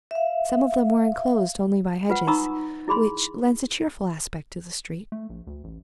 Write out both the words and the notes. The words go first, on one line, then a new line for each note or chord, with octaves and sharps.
Some of them are enclosed only by hedges, which lends a cheerful aspect to the street.
E5 F5
F4 B4 F#5
D#4 A#5 B5 C#6 D#6 E6
E4 G#4 B5 C6
A3
A#1
D2
A1